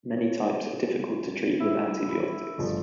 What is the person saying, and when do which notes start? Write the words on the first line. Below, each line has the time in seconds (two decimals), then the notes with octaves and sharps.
Many types are difficult to treat with antibiotics.
0.17 C#5
1.60 E4
2.09 B5
2.58 G1 F3 A3